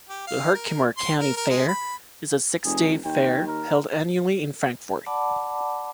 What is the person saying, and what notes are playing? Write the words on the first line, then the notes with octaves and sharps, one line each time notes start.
The Herkimer County Fair is a six-day fair held annually in Frankfort.
G4
F5
A#4
C6
A#4
A#4
G#3
B5
F1 G#4
D#2 G5
A#4
D5 F#5 A5 B5 D6